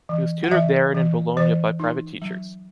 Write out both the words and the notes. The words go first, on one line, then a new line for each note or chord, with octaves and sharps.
He was tutored there and in Bologna by private teachers.
E3
F#5
E3 E5
E3
E3 C5
D#4
F#3